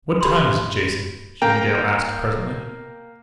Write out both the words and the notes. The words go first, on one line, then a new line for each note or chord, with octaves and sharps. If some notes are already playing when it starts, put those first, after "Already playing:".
"What time is it, Jason?" Jimmie Dale asked presently.
G4 B5 C6
A#3 G5 A#5